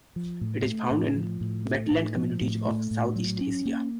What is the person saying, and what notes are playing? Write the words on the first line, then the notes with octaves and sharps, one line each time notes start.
It is found in wetland communities of Southeast Asia.
F3
A2
A3
A2
F3
A2
A3
A2
F3
A2
A3
A2
F#3
C#4
A#3